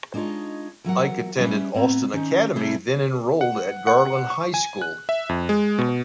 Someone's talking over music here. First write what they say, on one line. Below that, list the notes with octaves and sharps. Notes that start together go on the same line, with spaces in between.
Ike attended Austin Academy, then enrolled at Garland High School.
G#3 D4 D#4 F4 C#5 D#5
E3 F#3 A#4 F#5
G3 C#4 B4 E5
A2 B3 C4 B4 A#5
D#3 C#4 D#4
C3 G3 A3 E4 G#4
F#5
F#5
C#6
G#5
F#6
E5
F2
G#3
B2